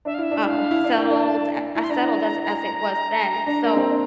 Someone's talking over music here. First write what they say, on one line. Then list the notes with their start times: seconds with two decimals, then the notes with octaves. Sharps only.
um, settled a as settled as as it was then, so,
0.05 D4 E5
0.14 F5
0.18 E4 E5
0.31 D4
0.45 E4 F5
0.58 D4
0.71 E4
0.84 D4
0.91 G5
0.97 E4
1.11 D4
1.19 A5
1.75 E4 A#5
1.84 C6
1.89 D4 A#5
2.02 E4
3.47 D4
3.64 A#3
3.76 C4
3.89 D4